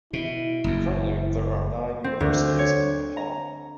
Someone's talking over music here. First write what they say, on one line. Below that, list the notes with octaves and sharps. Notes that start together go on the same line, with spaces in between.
Currently there are nine universities in Nepal.
B2 E4
F#1 E2
C4
D2
C#5
A#5